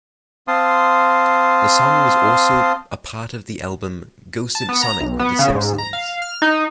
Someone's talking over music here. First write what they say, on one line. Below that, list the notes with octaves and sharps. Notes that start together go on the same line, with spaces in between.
The song was also a part of the album "Go Simpsonic with The Simpsons".
C4 F5 A5 C6 D#6
A5
B3
A#5
B1
B3
C#3
G#2
A#5
F5
F6
D#4